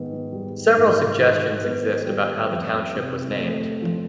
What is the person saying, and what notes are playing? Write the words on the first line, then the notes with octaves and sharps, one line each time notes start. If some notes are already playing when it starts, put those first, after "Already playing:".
Several suggestions exist about how the township was named.
Already playing: G#2 D#3 B3
G3
G#2
D#3
B3
G3
F2
C3
A3
F3